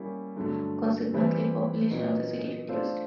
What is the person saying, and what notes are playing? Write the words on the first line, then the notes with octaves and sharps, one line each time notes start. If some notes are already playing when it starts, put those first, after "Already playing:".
Consequently, population of the city reduced.
Already playing: G3 A#3 C#4 E4
G2 D3 F#3 A3
E3 G3 C4 E4 G4
A#2 F#3 B3 D#4
A3 D4 F4 A4 C5